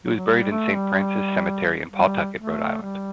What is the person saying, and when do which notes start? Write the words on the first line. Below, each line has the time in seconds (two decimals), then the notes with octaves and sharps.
He was buried in Saint Francis Cemetery in Pawtucket, Rhode Island.
0.05 F#3
0.17 F#3
0.28 G3
0.51 A3
0.74 G3
1.90 G3
2.37 A3
2.82 G3